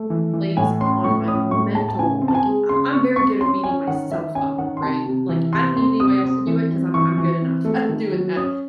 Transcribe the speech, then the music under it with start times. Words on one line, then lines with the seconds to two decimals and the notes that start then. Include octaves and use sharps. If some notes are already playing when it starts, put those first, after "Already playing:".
plays on my mental, like I I'm very good at beating myself up, right? Like, I don't need anybody else to do it 'cause I'm I'm good enough at doing that,
Already playing: A3
0.10 E3
0.33 E3
0.57 A2 G#5
0.81 C#4 C6
1.04 A2 C#6
1.28 C#4 D#6
1.51 A2 C#6
1.75 A2 A5
1.88 A5
1.99 C#3 G#5
2.22 C4
2.28 A5
2.35 G#5
2.46 G#3
2.69 C#3 C6
2.93 C4 C#6
3.16 C4 C#6
3.40 C#4 C6
3.63 C#4 G#5
3.87 D#3 F#5
4.11 D#3 E5
4.35 C#4 G#5
4.58 D#3 F#5
4.77 C6
4.82 C3 A5
5.06 C3
5.29 E3
5.53 C3 C6
5.76 C4 C6
6.00 C3 D#6
6.23 C4
6.47 E3
6.71 C4
6.94 E3 C#6
7.18 E3
7.41 C4
7.65 A3
7.89 D#3
8.12 F#3
8.36 C#4 D#6